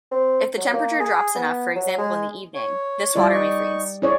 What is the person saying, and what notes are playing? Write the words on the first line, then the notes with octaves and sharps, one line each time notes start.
If the temperature drops enough, for example in the evening, this water may freeze.
C4
F#3
A#3
G#4
B3
F#3
G#3
C#5
G3 E4 F4 D5
D#4 C#6
E4 G#4 C#5 D5